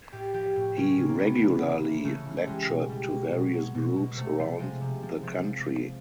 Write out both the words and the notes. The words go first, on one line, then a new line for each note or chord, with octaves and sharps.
He regularly lectured to various groups around the country.
A2 G4
F3 G4
A2
C#3 C#4
C#3
A#3
C#3 B3
C#3
C#3 A#3
E3
C#3 A3
E3
A3
G3 G#3
B2
G3
B2
B2
F#3
B2
B2
C3 A3
F3
F3 G#3
C3
F3
F3
F3
F3